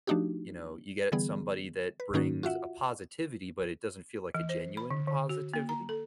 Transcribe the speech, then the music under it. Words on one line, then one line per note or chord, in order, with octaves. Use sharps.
you know, you get somebody that brings a positivity, but it doesn't feel like a genuine positivity.
F3 A3 D4 D#4 F#4 G4
D3 E3 G3 B3 G#4
B4
G#2 D#3 A#3 C#4 D#4 F#4
F4 F#4 E5 F#5
E3
C5
B5
D3
D3
F#4
A#3
A#5
A4